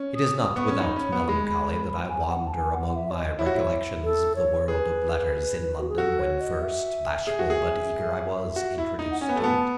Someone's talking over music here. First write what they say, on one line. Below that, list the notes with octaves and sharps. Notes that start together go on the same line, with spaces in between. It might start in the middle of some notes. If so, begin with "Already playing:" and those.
It is not without melancholy that I wander among my recollections of the world of letters in London when first, bashful but eager, I was introduced to it.
Already playing: C#4
D#6
D#6
B3 C#6
C#4
D#4 B5
C#4
B3
G#3
G#5
F#5
A5
G#5
F#5
E5
C#5
D#5
E4 C#5
F#4
E4
A4
C#5
G#4 B4
F#4
G#4
F#4 A4
C#5
D#5
E5
G#4
F#4
G#4
F#4
E4
D#4
F#5
C#4 G#5
B3
A3
B3 A5